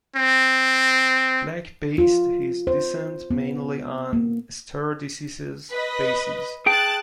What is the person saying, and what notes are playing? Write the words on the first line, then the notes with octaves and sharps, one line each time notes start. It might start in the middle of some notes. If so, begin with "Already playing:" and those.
Black based his dissent mainly on "stare decisis" basis.
C4
F4
C5
B3
A#3
B4 D#5
G#4 G5 A5 F#6 A6